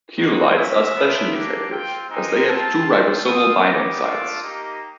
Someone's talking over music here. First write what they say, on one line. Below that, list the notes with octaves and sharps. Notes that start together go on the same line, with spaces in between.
Ketolides are especially effective, as they have two ribosomal binding sites.
A3 C4 D#4 F#4 D#5
G#3 C#4 F#4 E5
B3 D4 F4
A#3 D4 G4
C4 F4 G5
G#3 C4 D#4 G4 G#5
C4 F4 A5
C4 F4
C4 F4 D#6
B3 D#4 G4 D6
A3 D4 F4
A#3 D#4 G4